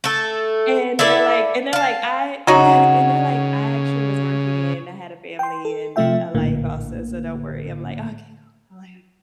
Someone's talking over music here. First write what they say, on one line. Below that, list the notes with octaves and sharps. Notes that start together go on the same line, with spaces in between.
and they're like and they're like, "I" yeah, and they're like, "I actually was working, and I had a family, and a life also, so don't worry." I'm like, "Okay, cool." I'm like, "Okay."
A3 A4
E4 A4 D5 E5
F5 A5
C#3 F#3 D#4 F#4
G5 C6
A4
C3 F3 A3 F4 E5 G5
A#1 A2 D3 A#3